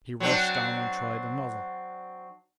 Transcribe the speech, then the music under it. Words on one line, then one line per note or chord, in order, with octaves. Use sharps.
He rushed on and tried another.
F#3 C4 D4